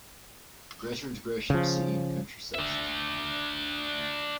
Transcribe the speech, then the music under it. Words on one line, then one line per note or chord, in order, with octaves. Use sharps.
Greater integration of city and country services began.
C#3 F3
D4 E5